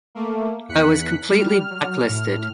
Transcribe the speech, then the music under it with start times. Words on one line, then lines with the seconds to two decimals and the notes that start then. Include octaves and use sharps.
I was completely black-listed.
0.15 A3 A#3
0.69 E2 F#6 B6 C#7
1.32 G3 F6
1.71 F#3
2.09 A2